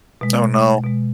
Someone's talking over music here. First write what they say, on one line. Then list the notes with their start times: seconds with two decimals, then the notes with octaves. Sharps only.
Oh, no.
0.21 B2 G#3
0.84 B2 G#3